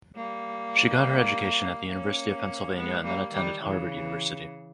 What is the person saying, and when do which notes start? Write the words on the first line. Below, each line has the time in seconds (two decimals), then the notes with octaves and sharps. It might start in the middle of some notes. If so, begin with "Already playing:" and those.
She got her education at the University of Pennsylvania and then attended Harvard University.
0.15 G3 A#3
1.88 A#3 C#4
2.75 G#3 B3
3.04 G3 A#3
3.32 D#3 G3
3.61 C#3 E3